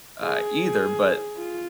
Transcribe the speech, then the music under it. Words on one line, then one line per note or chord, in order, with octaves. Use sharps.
uh, either, but
G#4
F4